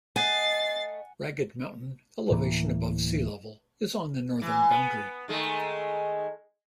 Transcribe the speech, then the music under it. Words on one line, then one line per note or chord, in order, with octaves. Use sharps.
Ragged Mountain, elevation above sea level, is on the northern boundary.
A3 D#4 D#5 F#5 G#5 A6 C7
D1 A2 E3 A#3
E3
B3
D#3 G#3 A3